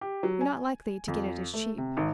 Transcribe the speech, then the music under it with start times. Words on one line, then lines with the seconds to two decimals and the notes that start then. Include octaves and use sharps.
You're not likely to get it as cheap.'
0.01 G4
0.23 F#3
0.41 G#5
1.08 F2
1.54 A3
1.78 C3
1.97 G#1